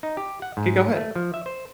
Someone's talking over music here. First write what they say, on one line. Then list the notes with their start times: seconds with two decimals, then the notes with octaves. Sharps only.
kay, go ahead.
0.03 D#4
0.17 G4
0.42 F#5
0.57 G#2
0.96 A3
1.16 F3
1.34 E5
1.46 C5